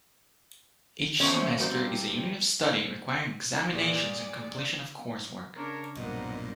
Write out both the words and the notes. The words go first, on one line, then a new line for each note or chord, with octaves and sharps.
Each semester is a unit of study requiring examinations and completion of coursework.
D#2 F3 A3 C4 C#4 C5 C#5
E2 G3 A#3 B3 F#4 C5
G2 C4 G4
A#2 G4 G#4 D5
C#3 D4 A#4 C#5
B1 G2 A#2 G3 C4 A#4 D#5 F#5